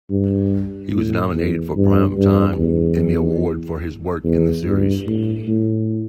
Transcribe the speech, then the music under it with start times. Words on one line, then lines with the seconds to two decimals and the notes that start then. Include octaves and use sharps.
He was nominated for Primetime Emmy Award for his work in the series.
0.10 G2
0.93 A2
1.34 E2
1.76 G2
2.17 G2
2.59 E2
4.24 E2
4.65 G2
5.07 A2
5.48 A2